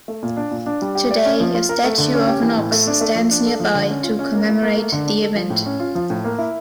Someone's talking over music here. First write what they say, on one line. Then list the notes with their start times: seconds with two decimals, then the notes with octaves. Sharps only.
Today, a statue of an ox stands nearby to commemorate the event.
0.08 A3
0.23 A#2
0.37 D4
0.51 A#2
0.66 D4
0.82 G3
0.95 G4
1.11 D5
1.25 C#4
1.40 F3
1.55 F4
1.69 A#4
1.84 A3
1.98 D3
2.14 C#4
2.27 G4
2.43 E3
2.57 A2
2.72 A3
2.87 D4
3.01 A3
3.15 F3
3.31 D4
3.46 A4
3.60 F3
3.74 D3
3.90 C#4
4.03 F4
4.19 C#4
4.34 A#3
4.49 E4
4.62 A#3
4.77 A3
4.92 D3
5.07 D4
5.22 A4
5.35 F3
5.50 A2
5.66 C#4
5.80 F4
5.95 F3
6.10 A2
6.24 A#3
6.39 E4